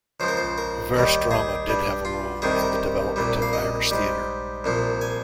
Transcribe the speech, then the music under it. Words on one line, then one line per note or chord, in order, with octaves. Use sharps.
Verse drama did have a role in the development of Irish theatre.
C#2 C#3 F3 C5
A#4
C5
A#4
D#2 D#3 G3
G#4
G2 G3
F4
C2 C3 D#3 G3 G#4
A#4
C2 A#2 G3
F5
D#5
G#2 G3
C2 A#2 F3
G#5